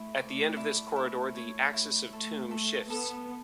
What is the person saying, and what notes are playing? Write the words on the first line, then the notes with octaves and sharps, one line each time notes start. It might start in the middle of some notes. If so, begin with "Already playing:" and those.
At the end of this corridor the axis of the tomb shifts.
Already playing: A3 E4
D5
E4
E4
C#5
E4
A3 A4
A3 A4
B3 A4